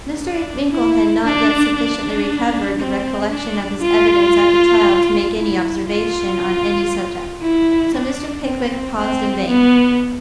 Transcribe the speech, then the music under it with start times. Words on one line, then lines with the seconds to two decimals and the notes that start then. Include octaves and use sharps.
Mr. Winkle had not yet sufficiently recovered the recollection of his evidence at the trial, to make any observation on any subject, so Mr. Pickwick paused in vain.
0.21 D4
0.73 E4
1.24 D4
1.76 D4
2.79 C4
3.31 D4
3.82 F4
5.37 E4
5.87 F4
7.42 E4
7.94 D4
8.45 C4
8.97 C4
9.48 B3